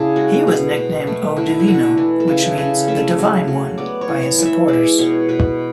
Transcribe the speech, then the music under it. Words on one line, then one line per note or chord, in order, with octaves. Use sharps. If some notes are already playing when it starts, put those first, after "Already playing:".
He was nicknamed O Divino, which means The Divine One, by his supporters.
Already playing: C#3 D4 E4 G#4
G#3 F#4
B2
B2
A3
D3 E4
E4
D3 F#4
E3
A4
C#3
E4
C#3
A3 E5
F#3
F#3
B3 D5
C#5
E3
C#5
E3
E5
G#3 D5
B2 C#5
B2 B4